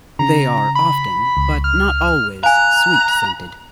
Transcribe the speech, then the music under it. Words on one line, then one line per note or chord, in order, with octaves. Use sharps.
They are often, but not always, sweet-scented.
C#3 A#5
B5
C#2
F6
F5 G#5 A#5 F#6